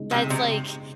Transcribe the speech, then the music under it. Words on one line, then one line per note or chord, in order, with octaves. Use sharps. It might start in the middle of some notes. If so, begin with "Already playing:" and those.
"That's, like
Already playing: C#3 G#3 D#4
C3
C3